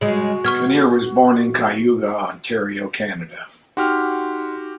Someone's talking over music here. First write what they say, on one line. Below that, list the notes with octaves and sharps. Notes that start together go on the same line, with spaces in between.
Kinnear was born in Cayuga, Ontario, Canada.
C#3 G#3 F#4
B3 C#6 F6 G#6
D#4 F#4 G4 C6 F6